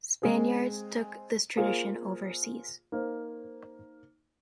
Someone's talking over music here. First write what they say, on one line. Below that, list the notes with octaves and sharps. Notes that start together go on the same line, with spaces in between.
Spaniards took this tradition overseas.
G#3 C4 G#4 C5
A#3 F4 G#4 C5
A#3 D#4 C5